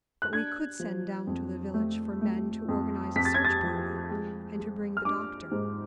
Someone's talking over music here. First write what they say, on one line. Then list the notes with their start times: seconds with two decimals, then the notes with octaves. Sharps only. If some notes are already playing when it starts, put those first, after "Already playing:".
But we could send down to the village for men to organise a search-party and to bring the doctor.
0.22 F#6
0.33 D4 G#6
0.80 F3
1.27 F2
1.74 A3
2.21 A3
2.69 F2
3.16 F2 B6
3.25 A6
3.34 G#6
3.45 A6
3.63 F3
4.10 G#3
4.58 G#3
4.97 F6
5.05 D4 D6
5.51 G#2